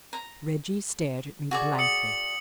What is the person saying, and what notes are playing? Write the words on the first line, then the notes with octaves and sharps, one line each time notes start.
Reggie stared at me blankly.
A#5
F#4 G#4 D5
D#6 C#7 F#7